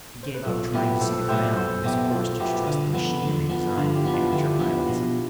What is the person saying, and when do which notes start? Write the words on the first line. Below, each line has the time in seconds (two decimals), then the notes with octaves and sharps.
He gave up trying to see the ground and was forced to trust the machinery designed for amateur pilots.
0.23 C5
0.34 B4
0.46 B1 F4 A4
0.74 B2 B3 E4 G4
1.01 B1 A4 C5
1.13 A4
1.21 B4
1.28 B2 B3 E4 G4 A4 C5
1.56 B1 A4 C5
1.84 B2 B3 E4 G4
2.11 B1 F4 A4
2.40 B2 B3 E4 G4
2.67 D3
2.94 F3 B3
3.22 D3
3.50 F3 B3
3.77 D3 D4 F4
3.96 E4 G4
4.05 F3 B3
4.14 D4 F4
4.32 D3 E4 G4
4.60 F3 B3
4.88 B2